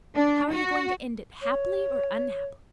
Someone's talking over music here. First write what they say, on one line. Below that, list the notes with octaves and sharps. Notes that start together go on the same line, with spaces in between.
"How are you going to end it--happily or unhappily?"
D4
F#4
C#5